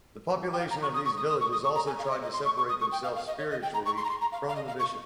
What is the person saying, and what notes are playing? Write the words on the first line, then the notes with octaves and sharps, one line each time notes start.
The population of these villages also tried to separate themselves spiritually from the bishop.
G5
F5
A#5
C#6
D#6
C#6
D#6
D#6
C#6
D#6
C#6
A#5
G#5
F5
C#5
D#5
D#5
C6
C#6
C#6
D#6
C#6
G5
F5
F5
D#5
C#5
D#5
G5
A#5
C#6
C6
A#5
C6
A#5
F5
F5
D#5
F5
C#6